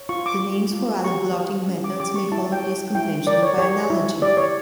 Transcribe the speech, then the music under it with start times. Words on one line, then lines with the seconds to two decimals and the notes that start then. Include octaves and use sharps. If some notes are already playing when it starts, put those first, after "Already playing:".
The names for other blotting methods may follow this convention, by analogy.
Already playing: C#5
0.09 F4 C#6
0.26 D6
0.42 F4
0.73 F4
1.04 G4 C#6
1.37 G4
1.68 C#4
1.84 D6
2.00 G4 D6
2.16 C#6
2.32 E4 A5
2.52 G5
2.64 C#5
2.95 E4 G5
3.27 A#4 D5
3.43 C#5
3.58 G4 C#5
3.90 E4
4.22 G4 D5
4.37 C#5